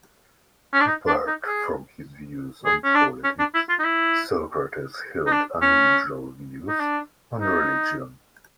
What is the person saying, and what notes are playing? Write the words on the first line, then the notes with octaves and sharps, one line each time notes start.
Apart from his views on politics, Socrates held unusual views on religion.
C#4
D4
D#4
D4
D#4
G#4
G#4
C#4
D4
C#4
D4
E4
F4
D#4
E4
D#4
D4
C#4
D#4
D4
D#4